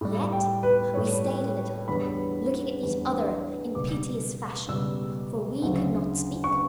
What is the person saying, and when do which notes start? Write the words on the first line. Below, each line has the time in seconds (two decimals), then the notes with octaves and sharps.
Yet we stayed a little, looking at each other in piteous fashion, for we could not speak.
0.01 A2 G3
0.32 G5
0.63 B4
0.94 A2 G3 C#5
1.88 E2 D3 G3 B5
2.81 E2 D3 G3
3.75 C#2 B2 G3 D6
4.68 C#2 B2 G3 E6
5.62 D2 C#3 F#3
6.44 C#6